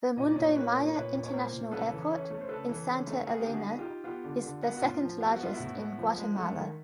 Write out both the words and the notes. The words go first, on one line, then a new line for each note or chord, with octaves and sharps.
The Mundo Maya International Airport, in Santa Elena, is the second largest in Guatemala.
A#2 D#5
D5
A#2 C#5 D#5
A#3 B4 C#5
A#2
A#2 B4 C#5
A#2
C#5
A#3 A#4 C5
A#2
C#3 A4 B4
E3
C#4
A3
C5
C#3 A4 B4
E3
C#3
A3
B3 G#4 A#4
G4
D3
F#4 G#4
D#4
F4 G4
D#4
B3 F4 G4
D3
D3
B3
F#4
A2 F4
F3
B3 G4
F#4
B3 F4
E4 F#4
A2
B3
F3
G#3
A3
D#3